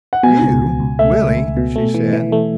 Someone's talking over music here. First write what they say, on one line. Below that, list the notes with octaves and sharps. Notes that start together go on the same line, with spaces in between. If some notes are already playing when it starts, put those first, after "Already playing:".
"YOU, Willie!" she said.
F#5
B2 G#5
C#2
B2
C#2
A3 E5
C#2
C#2
B2
A3
E3
E3
A3